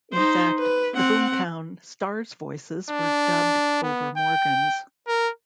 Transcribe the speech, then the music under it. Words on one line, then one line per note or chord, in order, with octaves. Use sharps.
In fact, the "Boom Town" stars' voices were dubbed over Morgan's.
D#4 C5
B4
C4 F#5
D4
B3
G5
A#4